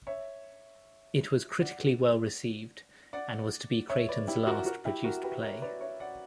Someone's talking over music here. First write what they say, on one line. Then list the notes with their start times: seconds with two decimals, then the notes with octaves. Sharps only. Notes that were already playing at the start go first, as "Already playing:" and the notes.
It was critically well received and was to be Creighton's last produced play.
0.07 C#5 E5
1.60 D5 F#5
3.13 D5 F#5
3.89 C#5 E5
4.08 B4 D5
4.28 E4 G4
4.47 F#4 A#4
4.66 F#4 A#4
4.85 E4 G4
5.04 F#4 A#4
5.24 G4 B4
5.43 A#4 C#5
5.62 B4 D5
5.81 C#5 E5
6.00 D5 F#5